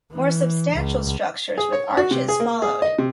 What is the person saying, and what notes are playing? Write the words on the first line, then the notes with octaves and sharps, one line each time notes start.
More substantial structures with arches followed.
E3
C#2
G#4
C#5
F#4
C3
G#4
A#3
G#4
D#5
C3